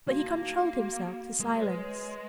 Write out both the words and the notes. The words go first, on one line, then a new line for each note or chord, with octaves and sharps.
But he controlled himself to silence.
A#3 F#4
D#4
D#4
G#4
F#4
G#4
G#3 A#4
C#5
B4
C#5
D#5